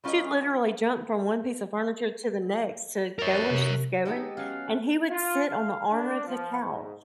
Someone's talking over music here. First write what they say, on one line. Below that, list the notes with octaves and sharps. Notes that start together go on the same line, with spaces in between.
she'd literally jump from one piece of furniture to the next to go where she's going, and he would sit on the arm of the couch
G3 C#4 F4 G4 A#4 D#5
A#4 C#5 A6
C3
G#3 B3 D#4 G4 A4
F#3 C#4 F5
F4
F5
D4
F3
G#2